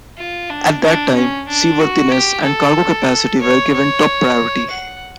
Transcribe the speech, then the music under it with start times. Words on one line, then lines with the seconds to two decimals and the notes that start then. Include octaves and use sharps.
At that time, seaworthiness and cargo capacity were given top priority.
0.18 F4
0.50 D4
0.82 D4
1.14 C#4
1.48 D4
1.80 F#4
2.11 G4
2.45 A4
3.41 C#5
3.74 C#5
4.71 F#5